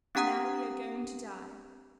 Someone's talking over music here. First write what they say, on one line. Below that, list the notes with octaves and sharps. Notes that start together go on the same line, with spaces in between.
"Now we are going to die."
C4 D4 G4 F#5 A#5 D#6